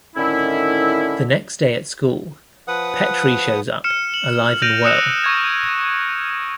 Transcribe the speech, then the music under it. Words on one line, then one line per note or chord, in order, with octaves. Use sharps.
The next day at school, Petrie shows up, alive and well.
A2 D3 D#3 C#4 E4
F3 B4 F#5 D#6
F6 C#7 E7
F#7
F6 G6 A#6 D7 D#7 F7
D#6 E6 F#6 C#7 E7 F7
C#6 G#6